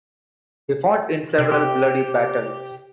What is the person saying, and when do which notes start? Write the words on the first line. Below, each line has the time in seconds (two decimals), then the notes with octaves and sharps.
He fought in several bloody battles.
1.38 C3
1.52 G4